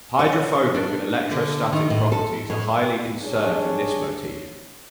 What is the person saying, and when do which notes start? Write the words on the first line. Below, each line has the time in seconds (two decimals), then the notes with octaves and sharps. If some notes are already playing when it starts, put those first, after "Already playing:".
Hydrophobic and electrostatic properties are highly conserved in this motif.
0.19 C#5
0.74 D4
1.31 D3
1.73 D#3
1.90 A2
2.12 A4
2.50 A2
3.23 G2 D4 G#4 C#5